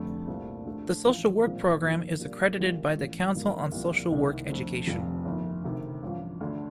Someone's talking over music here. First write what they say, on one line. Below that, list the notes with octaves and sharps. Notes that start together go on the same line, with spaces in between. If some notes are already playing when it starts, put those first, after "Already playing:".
The social work program is accredited by the Council on Social Work Education.
Already playing: F1 F2 D3 A3
C2 A#2 A3 C4
D2 D3 A3
A1 A2 F3
A#1 A#2 F3 C4
G1 F2 D#3 A#3 F4
A#2 G3 D4
A#1 A#2 G3 A#3 F4
A1 A2 F3
A1 G2 D3 F3 A#3
C2 A#2 F3
C2 C3 D#3 A#3 D#4
F2 D3 A3 C4
F1 F2 C3 F3 A3
G1 F2 D#3
D2 C3 D#3
A1 G2 F3
D2 D3 A3 D4